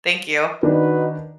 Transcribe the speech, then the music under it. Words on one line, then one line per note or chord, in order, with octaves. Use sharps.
Thank you.
D#3 D4 D#4 F#4 B4